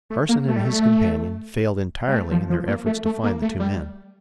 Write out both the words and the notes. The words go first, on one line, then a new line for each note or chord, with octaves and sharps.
Carson and his companion failed entirely in their efforts to find the two men.
A3
A#3
A3
G3
A3
G3
A3
F3
F3
A#3
A3
A3
A#3
A3
G3